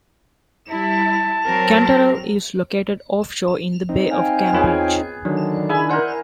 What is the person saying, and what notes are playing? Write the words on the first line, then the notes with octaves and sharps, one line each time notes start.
Cantarell is located offshore in the Bay of Campeche.
G3 E4 A5
F#3 C4 A#4
C4 D#4
F5 G5 G#5
E2 B3 F4 G#4 C#5
D3 D#3 F#3 D4
E4 G#4 G#5 B5
A#4 C5 D5 F#5 F#6 G6